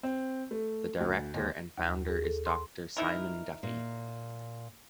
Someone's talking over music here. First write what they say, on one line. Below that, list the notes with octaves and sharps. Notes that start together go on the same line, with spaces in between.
The Director and founder is Dr Simon Duffy.
C4
A3
D2
D#2
D#2
G#4
A4
C6
D#4 E4 A#4
A#2